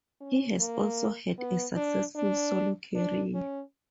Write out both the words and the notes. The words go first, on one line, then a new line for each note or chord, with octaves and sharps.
He has also had a successful solo career.
C#4
A#3
B3
D4
D4
D4
C#4